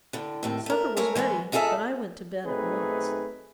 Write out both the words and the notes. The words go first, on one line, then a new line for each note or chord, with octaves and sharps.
Supper was ready, but I went to bed at once.
A2 D3
D#2 A2 C4
A3 A#4
G#3 A3 A#4 C#5
E3 G#3 B3 C#5
D#4 F4 G#4 A4 C#5 E5
B1 A3 C4 D#4 G#4 B4